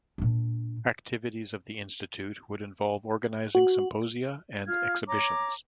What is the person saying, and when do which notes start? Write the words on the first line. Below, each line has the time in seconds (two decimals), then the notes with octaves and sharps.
Activities of the institute would involve organising symposia and exhibitions.
0.18 A#2 D4
3.55 F#4
4.67 F4 F5 F6 G#6
5.07 C#5 A#5 D6